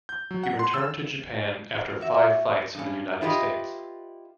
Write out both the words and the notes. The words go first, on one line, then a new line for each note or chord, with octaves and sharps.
He returned to Japan after five fights in the United States.
G6
F#3
F#5
C6
E6
F#4 E5
G2 C#4
E4 F4 G4 B4 C5 D#5